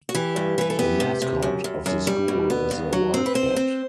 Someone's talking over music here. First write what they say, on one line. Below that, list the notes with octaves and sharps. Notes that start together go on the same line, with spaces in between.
The mascot of the school is the Wildcat.
F#4
E3 G4
G2
E3 B4
A4
B3 G4
C3
C3
F#2
F#2
F#2
G3
B2
B3
G2
F#3
C4
B4
C4 C5
C4